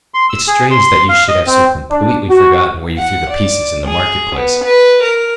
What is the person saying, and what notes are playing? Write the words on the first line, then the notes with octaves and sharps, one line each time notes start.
"It's strange that you should have so completely forgotten where you threw the pieces in the market-place."
C6
E6
G#4
C6
F5
D#5
C4
D4
F#4
F#5
D5
G#4
B3
B4
A#4